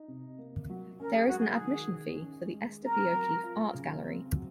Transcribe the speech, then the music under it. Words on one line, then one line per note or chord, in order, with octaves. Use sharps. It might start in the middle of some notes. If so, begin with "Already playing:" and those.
There is an admission fee for the Esther B. O'Keeffe Art Gallery.
Already playing: D#4
C3
A#3
F#3
C#4 A#4
G#4
G#3 F#4
G#4
D#3
D#3
C#4
G#3
C4 A#4
F#3
F4
C#3
C4
F#3